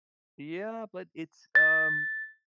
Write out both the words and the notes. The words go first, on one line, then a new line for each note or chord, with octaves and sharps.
Yeah, but it's, um
A6